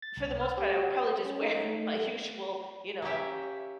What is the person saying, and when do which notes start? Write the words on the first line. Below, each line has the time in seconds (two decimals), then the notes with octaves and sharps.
for the most part, I would probably just wear my usual, you know,
0.02 A6
0.17 C2
0.41 F6
0.57 G4
1.06 C5
1.25 C#4
1.41 D#4
1.63 A3
1.94 A3
3.02 A#3 C#4 G4 E5